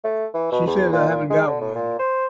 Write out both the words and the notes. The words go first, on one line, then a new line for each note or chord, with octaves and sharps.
She says I haven't got one.
A3
E3
B2
E2
A#2
A#2
G#3
D3
A2
A#2
C5